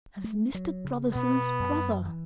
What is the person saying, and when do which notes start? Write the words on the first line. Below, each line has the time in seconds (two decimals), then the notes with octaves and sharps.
"As Mr. Brotherson's brother."
0.24 A3
0.54 F#3
0.85 C#3
1.14 B2 B3
1.60 F#2
2.06 E3